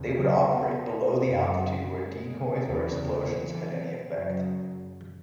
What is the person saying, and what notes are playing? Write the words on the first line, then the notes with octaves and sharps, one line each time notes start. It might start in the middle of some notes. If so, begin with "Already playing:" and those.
They would operate below the altitude where decoys or explosions had any effect.
Already playing: E2 C#3
F#3
B3
F#2 C#3 F#3
G#3
E2 C#3
E3
F#2 C#3 F#3